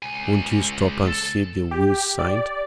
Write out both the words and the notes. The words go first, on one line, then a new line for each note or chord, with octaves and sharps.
"Won't you stop and see the will signed?"
C#2 G#5
A4
G4
D5